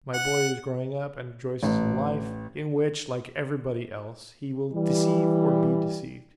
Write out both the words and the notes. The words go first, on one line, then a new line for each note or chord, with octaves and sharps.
My boy is growing up and rejoices in life, in which like everybody else he will deceive or be deceived.
F#5
A1
E3 G3